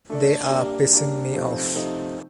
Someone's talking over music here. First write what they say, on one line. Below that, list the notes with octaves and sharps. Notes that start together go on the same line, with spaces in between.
They are pissing me off.
A3 D4 A4 D5
G3 A#3 D4 G4 D5
G3 A#3 D4 G4 D5
C3 F3 A3 C4 D#4
C3 F3 A3 C4 D#4